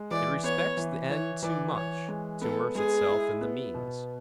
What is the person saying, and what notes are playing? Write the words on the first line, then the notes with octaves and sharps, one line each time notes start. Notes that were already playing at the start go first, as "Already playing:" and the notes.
It respects the end too much, to immerse itself in the means.
Already playing: G#3
E3 D5
B3 C#5
E3
E3 C#5
E3 D5
E3 C#5
G#3
B3 A4
G#3 G#4
E4
B3
B2